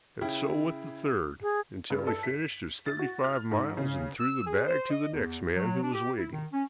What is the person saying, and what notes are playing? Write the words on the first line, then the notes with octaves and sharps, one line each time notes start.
And so with the third, until he finished his thirty-five miles and threw the bag to the next man, who was waiting.
C#3 E4 G5
G#4
G2
A4
B6
A6
F#4
F6
G#2
C#3
E6
G#4
C5
D#5
E2
F#3
D4
G4
E4
D#3
C#4